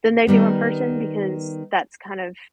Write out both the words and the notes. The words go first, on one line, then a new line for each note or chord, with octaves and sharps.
than they do in person, because that's kind of
D#3 G3 B3